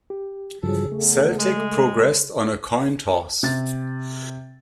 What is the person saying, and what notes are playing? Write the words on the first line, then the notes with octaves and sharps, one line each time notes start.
Celtic progressed on a coin toss.
G4
G2 C#3 F3 F#3 G#4 A4
E2 A3
G#3
C3 A6